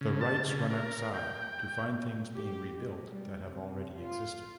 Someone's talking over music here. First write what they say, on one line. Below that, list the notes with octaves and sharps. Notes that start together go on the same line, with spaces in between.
The Wrights run outside to find things being rebuilt that have already existed.
C#3
A5
C#3
A#4
G5
G4
G#3
G3
C3
F4